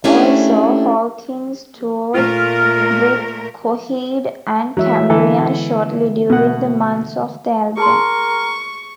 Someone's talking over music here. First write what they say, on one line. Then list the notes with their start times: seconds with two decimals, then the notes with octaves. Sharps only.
Also, Hawkins toured with Coheed and Cambria shortly during the months of the album.
0.04 A3 A#3 C#4 D4 E4 G4
2.14 A#2 A3 F4 A#4 F6
4.77 E3 F#3 G#3 E5
5.10 D3 E3 B3 A4
6.30 B2 A3 F#5
7.77 G#4 A#4 A5 C6 C#6